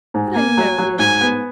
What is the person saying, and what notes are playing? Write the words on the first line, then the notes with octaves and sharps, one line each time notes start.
But I know it is.
G#2
A#3 G#5
F#3
F#3
G#2 G#5
B3